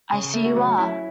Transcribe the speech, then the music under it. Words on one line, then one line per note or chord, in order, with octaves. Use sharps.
I see you are.
C#3 G#4
A3
F#4
F#3
C#4 E4